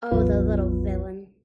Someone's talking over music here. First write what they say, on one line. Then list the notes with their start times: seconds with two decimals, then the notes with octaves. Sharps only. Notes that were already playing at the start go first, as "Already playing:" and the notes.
Oh, the little villain!
0.11 A1 E2 F#3 B3 F4 B4